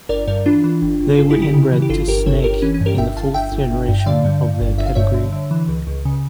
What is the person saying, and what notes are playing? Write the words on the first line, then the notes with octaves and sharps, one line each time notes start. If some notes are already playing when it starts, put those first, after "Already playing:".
They were inbred to Snake in the fourth generation of their pedigree.
G1 A#4 D5
G2 A#4 D5
E3 D4 F4
E3
G1
G1
G1 F4 A4
E4 G4
C#3
E4 G4
C#3
E3
G4
G1 F4 A4
G1 G4 A#4
G1 A4 C#5
G1 G4 A#4
E3 C#4
C#4
G2
G4 A#4
G1 E5 G5
G1 F5 A5
G1 E5 G5
G1
G1
G2
G5
D3 D5 F5
G2
G2
G1
G1 E5
F5
G2 C#5 E5
D3
D3
E3
C#2
C#2
C#3